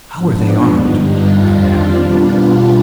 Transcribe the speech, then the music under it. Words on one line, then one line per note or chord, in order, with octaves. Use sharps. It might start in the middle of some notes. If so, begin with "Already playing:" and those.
"How are they armed?" I asked.
G#2 F3 B3 D4
G2 D3 G3 D#4
D4 F4
F2 D#3 G3 C4 D4 F4
B2 G3 B3 D4 F4